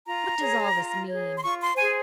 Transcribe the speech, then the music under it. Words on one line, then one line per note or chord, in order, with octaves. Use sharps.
"What does all this mean?"
F4 A#5
G#4 C#5
F4
G#4 C#5
C6
F4 C#6
C6
G#4 C5 G#5